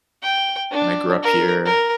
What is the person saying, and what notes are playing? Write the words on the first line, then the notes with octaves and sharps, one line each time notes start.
and I grew up here."
G5
D4
A#4
A#4